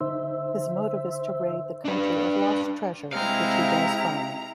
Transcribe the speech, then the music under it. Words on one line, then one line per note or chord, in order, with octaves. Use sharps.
His motive is to raid the country of lost treasures, which he does find.
D3 D#4 C5 E5
D4 B4
C3 G#3 C4 E4 F5 A#5